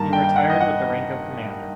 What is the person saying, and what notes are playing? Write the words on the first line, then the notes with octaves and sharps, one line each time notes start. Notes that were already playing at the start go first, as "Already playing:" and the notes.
He retired with the rank of Commander.
Already playing: G2 D#3 G3 A#3 D#4 A5 A#5
G5
G5
F#5
D#5
F#5